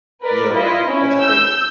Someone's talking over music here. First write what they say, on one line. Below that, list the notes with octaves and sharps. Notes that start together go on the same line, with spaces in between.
yo, that's that's crazy.
A#4 B4 D5
E4 F4 D#5
C#4 E4
E6 G6